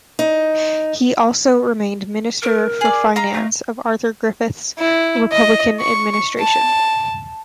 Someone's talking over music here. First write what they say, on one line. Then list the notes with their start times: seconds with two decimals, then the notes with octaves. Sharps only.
He also remained Minister for Finance of Arthur Griffith's republican administration.
0.19 D#4
2.43 A#4
2.81 G#4 D5
3.16 D#5 F5 A#5
3.33 A3
4.79 E4
5.32 D#5
5.80 C#6
6.39 A5